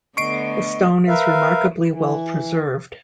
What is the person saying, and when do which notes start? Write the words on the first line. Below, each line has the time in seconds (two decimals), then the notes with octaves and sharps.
The stone is remarkably well preserved.
0.17 D3 A3 B3 D#5 C#6 C7 D7
1.08 A#4 B4 E5 F5
1.87 E3